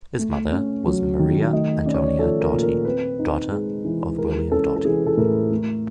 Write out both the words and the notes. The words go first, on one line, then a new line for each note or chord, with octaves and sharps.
His mother was Maria Antonia Doughty, daughter of William Doughty.
A3
C#4
F#3
D#3
A3 D#5
C#4 D5
C#5
D5
F3 A4
A#4
A#2
A#4
C4 B4
D#4
G#3
E3
G#3 A#4
C#4 A4
A4
E3 G#4
A4
A2 A#4
A3